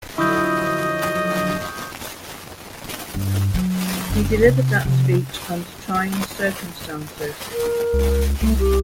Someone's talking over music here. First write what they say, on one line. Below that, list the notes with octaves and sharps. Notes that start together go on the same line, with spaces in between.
He delivered that speech under trying circumstances.
D3 F3 F#3 E4 D#5 C#6 D#6 G6
G2
F#3
F#1
C3
C3 F3
A#4
C#2
C2 A3
G4